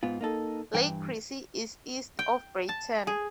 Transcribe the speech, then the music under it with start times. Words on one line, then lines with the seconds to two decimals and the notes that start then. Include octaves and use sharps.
Lake Chrissie is east of Breyten.
0.03 G#2 B3 F4
0.21 A#3 D#4 A4
0.74 G2 E3 G5
2.19 G5
2.69 A5
3.07 G#4